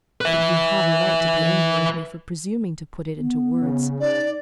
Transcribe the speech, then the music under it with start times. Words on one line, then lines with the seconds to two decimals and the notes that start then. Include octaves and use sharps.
But you have a right to be angry with me for presuming to put it into words.
0.21 B4 E5
3.17 B3
3.61 C#3
4.00 D#4 D5